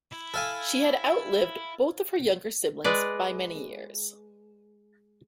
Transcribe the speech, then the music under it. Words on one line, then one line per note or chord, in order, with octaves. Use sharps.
She had outlived both of her younger siblings by many years.
E4
A4 F5 G#5
G#3 B4 D5